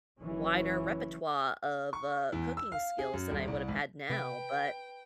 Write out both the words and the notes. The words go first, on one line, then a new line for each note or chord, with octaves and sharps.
wider repertoire of, uh, cooking skills than I would've had now. But
F#1 E3 F#3 C#4
C#6
E2
E6
F5
G#4
F#2
D#1
C2
G#1
C3 B4 G5